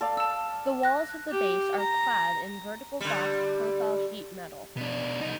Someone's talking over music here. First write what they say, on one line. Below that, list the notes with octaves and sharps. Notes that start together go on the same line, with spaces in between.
The walls of the base are clad in vertical box profile sheet metal.
A4 D5 F5
A5 E6
F#6 A#6
G4
A#5
D3 G3
B2 D4
C2 D#4